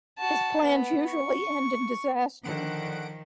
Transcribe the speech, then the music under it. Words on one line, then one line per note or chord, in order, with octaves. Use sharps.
His plans usually end in disaster.
F#4 A5
B3
C#6
D3 D#3 F3 F#5 D7